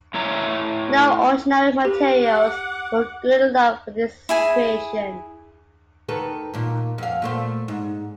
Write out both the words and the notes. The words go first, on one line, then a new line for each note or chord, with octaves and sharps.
No ordinary materials were good enough for his creation.
A2 E4 C#5 A#5
G4 B4 F5
F#5 D6
E4 G#4 G#5
D#3 A4 B4
D#2 A#2
F2 F5
A#2 A3 C5
G#2